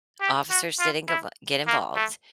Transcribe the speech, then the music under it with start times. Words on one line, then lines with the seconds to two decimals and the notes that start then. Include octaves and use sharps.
officers didn't get vo get involved,
0.21 G4
0.50 F#4
0.79 F4
1.09 E4
1.67 A#3
1.96 A3